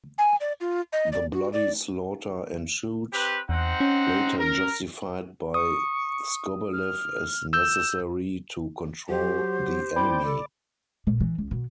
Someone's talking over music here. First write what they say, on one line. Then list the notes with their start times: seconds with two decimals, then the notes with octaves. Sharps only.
The bloody slaughter ensued, later justified by Skobelev as necessary to control the enemy.
0.18 G#5
0.40 D5
0.61 F4
0.92 D#5
1.12 D5
1.32 F#4
1.53 D5
3.12 C4 G4 B4
3.49 E2 C4 D#4 F#5
3.80 C#4
4.39 A#4
5.54 C#6 D#6
6.73 F6
7.53 E6 G6 E7
9.09 F#3 G4 C5
9.96 C4 E4 D5 G5 B5
10.24 A4 D5
11.07 A#2
11.20 E3
11.38 C#2
11.51 B2